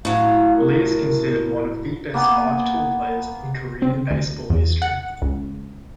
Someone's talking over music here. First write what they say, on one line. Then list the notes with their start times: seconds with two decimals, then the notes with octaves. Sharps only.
Lee is considered one of the best five-tool players in Korean baseball history.
0.05 A2 F#3 F5
0.57 A#4
2.14 A#3 B3 G#5
3.82 C4
4.11 D2
4.50 E2
4.82 F#5
5.22 C#2